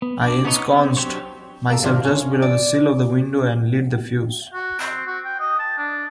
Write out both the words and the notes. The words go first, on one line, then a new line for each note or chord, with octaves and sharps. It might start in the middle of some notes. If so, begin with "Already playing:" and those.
I ensconced myself just below the sill of the window, and lit the fuse.
B3
D4 D5
B3 D#4 C#5 D#5
C4
F#3 D4 G4 C5 C#5
A#3 A4
G#1 C3 D4 F4 F5
C#4 C#5
D5
F#4
C4
F#4
G5
D#5
A5
D4